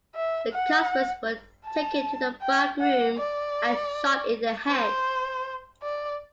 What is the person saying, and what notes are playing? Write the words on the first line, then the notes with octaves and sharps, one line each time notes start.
The customers were taken to the back room and shot in the head.
E5
F#5
A5
G5
F#5
D5
C5
D5